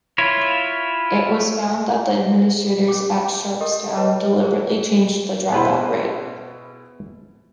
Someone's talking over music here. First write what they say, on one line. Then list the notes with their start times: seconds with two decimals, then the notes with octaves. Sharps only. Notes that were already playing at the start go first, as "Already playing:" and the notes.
It was found that the administrators at Sharpstown deliberately changed the dropout rate.
0.18 E4 F4 C#5
2.88 C#4 D6
3.10 F#4 G5
3.61 G4 A4 A#4 D#5
3.96 B4 C#5 D#5 A5
4.43 G#4 A#4 C5
5.52 B2 B3 E4 G#4 B4 C5